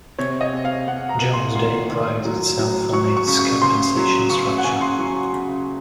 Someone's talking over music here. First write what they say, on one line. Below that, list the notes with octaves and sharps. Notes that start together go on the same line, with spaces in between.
Jones Day prides itself on its compensation structure.
C3 C#5
D#5
C3
F5
C3 F#5
A#5
C3
C6
D#3 C6
D#3
F#3
F#3
F#3 C#6
C#6
C#3
C#6
C#3 C6
F#3
C#3 C#6
C#6
F#5
C#3 G#5
C6
F#3 C#6
C#3